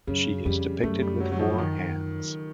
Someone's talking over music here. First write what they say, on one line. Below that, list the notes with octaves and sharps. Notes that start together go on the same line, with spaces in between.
She is depicted with four hands.
F#2 C#3
F2 G3
F#2 A3
G3
F#3
F#3
F3
D#3